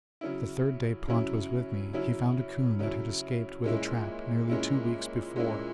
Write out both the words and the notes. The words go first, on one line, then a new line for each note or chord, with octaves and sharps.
The third day Pont was with me he found a 'coon that had escaped with a trap nearly two weeks before.
C#3 F#3 C#4 E4
C#3 F#3 C#4 E4
C#3 F#3 C#4 E4
C#3 F#3 C#4 E4
A#2 G#3 C#4 E4
A#2 G#3 C#4 E4
A#2 G#3 C#4 E4